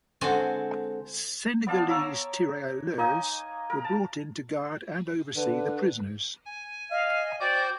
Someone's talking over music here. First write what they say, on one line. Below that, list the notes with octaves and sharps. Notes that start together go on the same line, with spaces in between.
Senegalese Tirailleurs were brought in to guard and oversee the prisoners.
D3 G#3 C4 F#4 A4 G#5
B3 D5 F5 A5
C#5 E5 A#5 D6
A#3 D#4 D#5 G#5
A#4
A5
D3 B4
G#5
D#5 F5
F#4 C5 D5 G5 G6